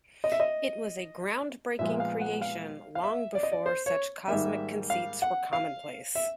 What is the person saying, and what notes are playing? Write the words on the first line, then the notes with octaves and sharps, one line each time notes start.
It was a groundbreaking creation long before such cosmic conceits were commonplace.
D#5
E5
D#5
A#2 F3 G#3 B3 E5
F5
F#5
F5
F5
E5
D5
D#5
D5
C5
C#5
G#2 D#3 G3 A#3 E5
F5
F#5
F5
E5